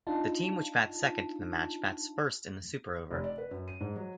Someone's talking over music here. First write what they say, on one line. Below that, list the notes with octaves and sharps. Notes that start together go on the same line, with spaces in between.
The team which bats second in the match bats first in the Super Over.
D4 D#4 F4 A5
F1
D5
B4
F#2
D#7
G#2
F#3